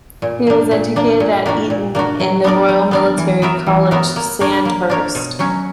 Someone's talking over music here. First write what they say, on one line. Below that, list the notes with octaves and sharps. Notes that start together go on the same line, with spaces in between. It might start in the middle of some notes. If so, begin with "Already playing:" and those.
He was educated at Eton and the Royal Military College, Sandhurst.
A#2
A#3 D4
A#2
A#3 D4
A#2
A#3 D4 F#4
A#2
A#3 D4 F#4
F#3
B3 D4 A#4 D5
F#3
B3 D4 A#4 D5
E3
B3 F#4 A#4 E5
E3
B3 F#4 A#4 E5
A#3
D4 A#4 C#5
A#3
D4 A#4 C#5
B2
F#3 C#4 F#4